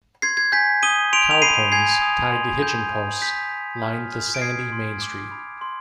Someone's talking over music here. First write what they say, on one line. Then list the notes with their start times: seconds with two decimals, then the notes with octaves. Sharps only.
Cow ponies, tied to hitching posts, lined the sandy Main Street.
0.22 C6 G#6 C7
0.37 G#6
0.52 G#5 G6 B6
0.83 D#6 D#7 G7
1.13 C6 D7 F7
1.31 F7
1.42 B5 C7 D#7
1.72 G#5 G#6 C7
2.02 D#6
2.32 C6
2.62 G6
2.92 G6
3.22 G6 B6
3.52 G6
3.82 F6
4.12 F6
4.35 D7
4.42 D#6 G#6 C7
4.72 C6
5.02 D6
5.31 B5
5.61 C6